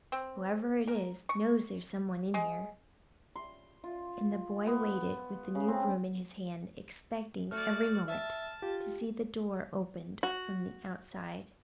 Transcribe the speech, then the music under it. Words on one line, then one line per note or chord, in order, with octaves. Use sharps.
"Whoever it is, knows there's someone in here." And the boy waited with the new broom in his hand, expecting every moment to see the door opened from the outside.
C4
A#4
C#6
G#3
C6
F4
B3
C#3
C4
A3 F#4 D5 F6
E5 A5
F4 G4
F#4